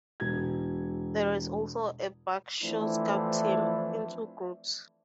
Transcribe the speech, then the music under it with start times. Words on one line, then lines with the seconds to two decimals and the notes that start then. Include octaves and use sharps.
There is also a Buckshaw Scout team, in two groups.
0.20 E1 G#6
2.62 E3 F3 A3 C4 D4 E4